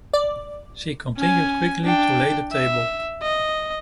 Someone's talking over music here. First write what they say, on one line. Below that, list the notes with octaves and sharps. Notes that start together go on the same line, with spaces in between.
She continued quickly to lay the table.
D5
C#4 G#5
D4 G5
E5
D#5